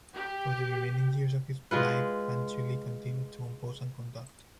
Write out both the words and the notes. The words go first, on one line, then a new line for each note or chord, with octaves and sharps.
For the remaining years of his life Fanciulli continued to compose and conduct.
G4
G#3 F4 B4